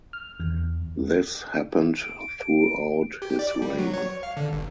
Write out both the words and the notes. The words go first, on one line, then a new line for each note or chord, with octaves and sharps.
This happened throughout his reign.
F6
E2
D7
G4
D5
G3
F#3
C#5
F5
D3
G1